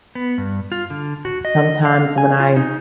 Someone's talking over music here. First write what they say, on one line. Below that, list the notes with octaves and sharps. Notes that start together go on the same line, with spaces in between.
sometimes when I
B3
G2
F4
D3
F#4
D#5
F5
G#5
F4
D#4